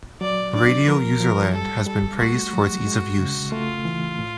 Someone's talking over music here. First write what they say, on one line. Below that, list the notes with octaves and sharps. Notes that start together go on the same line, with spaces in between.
Radio UserLand has been praised for its ease of use.
F#3 D5
D4 D5
F3 A#4
F3
G3 A4
G3 A4
A3 F#4
F#3
G#3
C#3
A3 F4
E3
A2